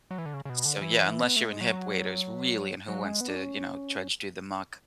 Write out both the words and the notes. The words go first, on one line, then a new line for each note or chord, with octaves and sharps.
So, yeah, unless you're in hip waders, really, and who wants to, you know, trudge through the muck
F#3
E3
D3
C#3
C#3
B2
D3
E3
B3
A3
G#3
F#3
F#3
G#3
B3
D4
C#4